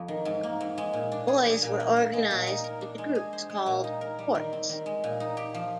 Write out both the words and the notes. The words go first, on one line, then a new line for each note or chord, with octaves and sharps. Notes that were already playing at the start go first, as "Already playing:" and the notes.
Boys were organized into groups called forts.
Already playing: F2 F3
D#3
G#2
A#3
G#2
G#3
A#2
D4
G#4
G3
A#2
A#3
A#2
G#3
A#2
D#4
A#4
D4
G#3
G#4
C5
G#3
A#2
D#4
A#4
G3
D#3
C4
D#3
G#3
A#2
D#4
G4
F3